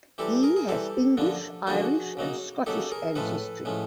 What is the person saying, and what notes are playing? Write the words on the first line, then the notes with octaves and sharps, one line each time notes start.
He has English, Irish, and Scottish ancestry.
E3 G3 C4 G4 A4
G#4 A#4
G#4
E3 G3 C4 G4 A4
F#2 D3 F3 A#3 D4
F#2 D3 F3 A#3 D4 F#4 G#4
C#3 F#3 A#3 D#4
C#3 F#3 A#3 D#4 G4 A4
G#4 A#4
A2 F3 G#3 C#4 A4 B4
A2 F3 G#3 C#4